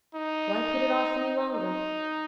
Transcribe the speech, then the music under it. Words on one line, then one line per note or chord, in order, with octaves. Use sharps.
Why put it off any longer?
D#4
D#4